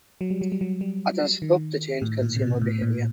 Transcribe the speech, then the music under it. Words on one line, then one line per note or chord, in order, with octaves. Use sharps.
Others hope to change consumer behavior.
F#3
G3
F#3
G3
F#3
G3
D#3
A2
A#2
C3
B2
A2
A#2